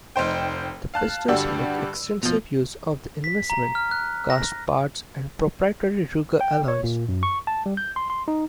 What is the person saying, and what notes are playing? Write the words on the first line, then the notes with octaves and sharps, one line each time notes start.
The pistols make extensive use of investment-cast parts and proprietary Ruger alloys.
F1 D#4 C5 G5
F5 A5 F#6
G2 D3 F#4 G4 D5 E6
B2 F3
B6
A#5
F6
F#6
A#6
G5
C#5
A#2
F#2
C#6
A5
G3
G6
C6
C6
D#4